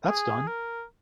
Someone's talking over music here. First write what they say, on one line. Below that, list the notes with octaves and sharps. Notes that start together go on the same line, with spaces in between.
That’s done.
G#4
A#4